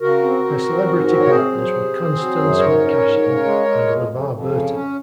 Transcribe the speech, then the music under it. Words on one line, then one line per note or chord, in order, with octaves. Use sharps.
Her celebrity partners were Constance McCashin and LeVar Burton.
C#3 F#4 A#4
C4
C4
C4
G#2
C4
C#5
C4 G#4 C5
F#3
C3
C4
F#3
F#2
G#2 A#4 C#5
C#4
G#2
C#3
G#3
G#3
F2
F2
F2
C#3
C#4